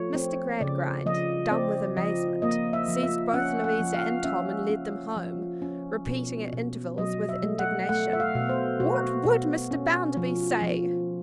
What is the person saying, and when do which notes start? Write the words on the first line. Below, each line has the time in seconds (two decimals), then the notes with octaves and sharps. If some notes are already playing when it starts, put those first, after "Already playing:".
Mr. Gradgrind, dumb with amazement, seized both Louisa and Tom and led them home, repeating at intervals, with indignation: "What would Mr. Bounderby say!"
Already playing: F3 A3 C#5
0.15 C4
0.61 C#3 D5
1.06 F3 D#5
1.51 C4 D5
1.97 F3 D#5
2.42 A#3 D#5
2.73 E5
2.89 F3
3.03 E5
3.33 C#4 F#5
3.64 F#5
3.79 F3
3.94 F5
4.24 C#4 E5
4.70 C#4
5.16 F3
5.62 C#4
6.06 B2
6.53 B2
6.98 F#3 D#5
7.29 E5
7.43 A3
7.59 F#5
7.89 A3 F#5
8.13 E5
8.20 F5
8.35 B2
8.49 C5
8.80 B2 F#4
9.25 B2
9.71 C#4
10.17 F3
10.62 F3